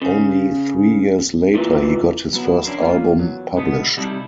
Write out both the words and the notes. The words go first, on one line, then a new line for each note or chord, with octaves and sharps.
Only three years later he got his first album published.
C#3
A#2 E3
F#3 B3 E4
C#4 D4 E4 F4 A#4 C5
A#3 C#4 F4
E2 F#3
B2 D3 G#3 A3 B3
C3 G3 D#4 E4 G4 A4